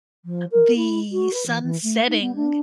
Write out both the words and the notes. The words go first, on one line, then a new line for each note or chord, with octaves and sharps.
the sun setting
F3
A#4
E4
F#4
B4
E3
E3
A3
D#4
B3
D4